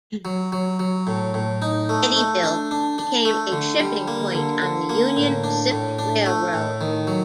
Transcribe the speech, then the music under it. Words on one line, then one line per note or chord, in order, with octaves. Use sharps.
Eddyville became a shipping point on the Union Pacific Railroad.
F#3
F#3
F#3
A2
A2
D#4
A3
A3
D4
D4
D4
A3
D3
G3
A#3
D3
D3
A#3
A2
D4
A2
D4
A3
A2
D#3
F#3